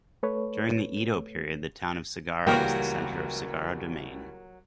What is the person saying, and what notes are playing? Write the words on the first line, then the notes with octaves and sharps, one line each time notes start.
During the Edo period, the town of Sagara was the center of Sagara Domain.
A3 A4 B4 C#5
C#2 E3 F#3 G3 A#3 F#4 G4 A#4